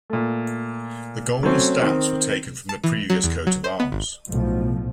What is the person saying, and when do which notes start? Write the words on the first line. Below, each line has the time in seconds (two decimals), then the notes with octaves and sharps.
The golden stamps were taken from the previous coat of arms.
0.10 A#2 A3
1.43 F#3 A3 C4 C#4
1.81 D#3 C4
2.69 A5
2.84 E3
3.10 F#3
3.24 E2
3.47 F#3
3.64 C5
3.80 B3
3.92 G#1
4.28 B1 A2 F3